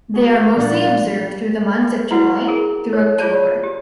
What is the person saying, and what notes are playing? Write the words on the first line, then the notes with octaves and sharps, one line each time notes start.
They are mostly observed through the months of July through October.
B3 F#4 G#4
A#2 F3 G3 D4 D5 F5 F#5
E4 F#4 B4 F#5
G#4 A#4 A#5
C#5
F4 G#4 C#5 D5 A5
G4